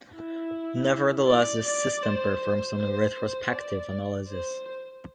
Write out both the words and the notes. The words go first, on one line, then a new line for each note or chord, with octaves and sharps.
Nevertheless, this system performs only retrospective analysis.
E4
D5
D5
C5
C5
C5
C5
D5
C5